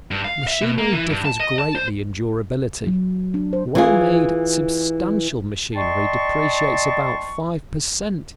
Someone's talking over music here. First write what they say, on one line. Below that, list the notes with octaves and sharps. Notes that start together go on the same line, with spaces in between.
Machinery differs greatly in durability; well-made, substantial machinery depreciates about five per cent.
G2
F5
E5
B2
A#3
E3
G2
A5
D#5
A5
C5
F#3
D4
C5
E3 F4 G#4
D5 D#5 G5 A5 C6 C#6